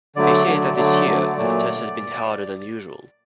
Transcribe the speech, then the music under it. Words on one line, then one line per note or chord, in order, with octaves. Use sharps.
They say that this year, the test has been harder than usual.
D3 F#3 A3 D5
D3 F#3 A3
D3 F#3 A3 D5
D3 F#3 A3
A#2 F#3 A3 D5